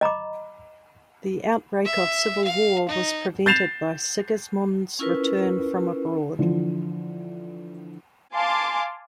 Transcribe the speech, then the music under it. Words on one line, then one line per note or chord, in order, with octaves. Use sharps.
The outbreak of civil war was prevented by Sigismund's return from abroad.
D#5 A#5 B5 D6
E5
F5
D#4
G6 A6 C7 E7 F7
C#4 E4 F4 A#4 B4
D3 E3 F3
F5 G#5 A5 C6 D6